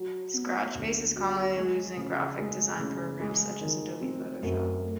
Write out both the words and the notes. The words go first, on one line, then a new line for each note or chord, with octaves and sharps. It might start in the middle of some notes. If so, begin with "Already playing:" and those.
Scratch space is commonly used in graphic design programs, such as Adobe Photoshop.
Already playing: F#3
B3
D2
F#3
G#3
C#3
G#3
C#3
G#3
D#3
C4
F#2
A3